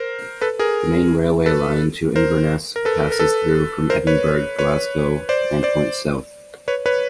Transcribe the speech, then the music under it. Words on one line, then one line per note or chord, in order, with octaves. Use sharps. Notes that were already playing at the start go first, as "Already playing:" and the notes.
The main railway line to Inverness passes through from Edinburgh, Glasgow and points south.
Already playing: A#4 C5
A4 B4
G#4 A#4
A4 B4
A#4 C5
A#4
A4 B4
A#4
A4 B4
A#4 C5
B4 C#5
B4 C#5
C5 D5
C5 D5
B4 C#5
B4 C#5